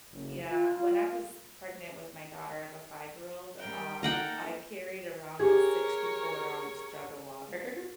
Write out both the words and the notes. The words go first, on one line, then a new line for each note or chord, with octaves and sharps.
Yeah, when I was pregnant with my daughter- I have a five-year-old- um, I carried around a sixty-four-ounce jug of water.
F#1
F4
G3 A#4 G5
A#3 D#4 A4 A#4 F#5 G5
G4 G#4 A#4 C#5